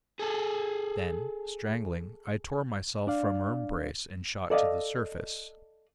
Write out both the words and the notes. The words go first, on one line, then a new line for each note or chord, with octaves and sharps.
Then, strangling, I tore myself from her embrace and shot to the surface.
G#4 A4
D4 D5 F5
A4 D5 D#5 F5